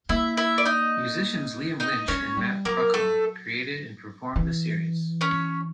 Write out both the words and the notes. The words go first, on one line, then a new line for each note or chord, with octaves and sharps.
Musicians Liam Lynch and Matt Crocco created and performed the series.
A#3 E4 E5
E4 E5
D5
D#4 D#5
D#4 D#5
G#3 C#4 C#5
G3
F#3 A#3 A#4
A3 A4
E3
C#4 C#5